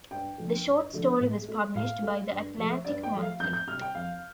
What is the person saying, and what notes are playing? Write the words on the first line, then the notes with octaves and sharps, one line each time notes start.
The short story was published by "The Atlantic Monthly".
G2 G5
D3 F3 A3
G2
D3 F3 A3
A2
A3
A2 F5
A3
G2
F3 A3
G2 D5
G5
F3 A3
F5
F2 G6
G6
C3 G3 F6
G5
F2 F5